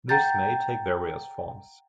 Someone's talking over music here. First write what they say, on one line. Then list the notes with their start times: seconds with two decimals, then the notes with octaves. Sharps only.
This may take various forms.
0.09 F#5 G5 A#5 G6 A6